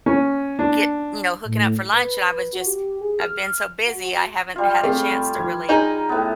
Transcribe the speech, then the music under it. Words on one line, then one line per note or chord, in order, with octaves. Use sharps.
get you know, hooking up for lunch, and I was just I've been so busy I haven't had a chance to really
C#4
D4
A2
B4
F#4
G4
G#4
F6
F#4
G3 F4
A3 C4 G#4
F3 G#6
D#4 G#4 A#5 G6
A2 B3